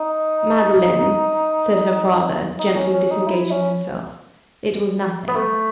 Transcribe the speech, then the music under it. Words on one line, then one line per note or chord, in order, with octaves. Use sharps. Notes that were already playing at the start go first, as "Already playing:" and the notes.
'Madeline,' said her father, gently disengaging himself, 'it was nothing.'
Already playing: D#4
D#4
C#4
C#4
D#4
E4
C#4
B3
A3